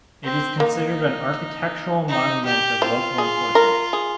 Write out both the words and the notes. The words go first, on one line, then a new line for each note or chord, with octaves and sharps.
It is considered an architectural monument of local importance.
C4
A#3 D#4
D#4
G4
C4 F4
G#4
A#4
G#4